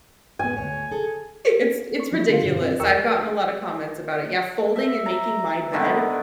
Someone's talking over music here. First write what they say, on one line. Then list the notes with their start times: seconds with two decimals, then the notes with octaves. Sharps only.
it's it's ridiculous, I've gotten a lot of comments about it; yeah, folding and making my bed
0.39 G#2 B3 G#5
0.57 D2 G#2 C#5
0.92 G#4 A4
2.00 C#6
2.12 F3 F#3 G#3 E4
2.29 D3 B3 F4
2.42 G2 B2 D3 D#3
2.61 C4 F4
2.80 E2 A#4 G5 C#6 E6 C#7
4.76 E5
5.06 A#5
5.73 G#2 D3 D#3 B3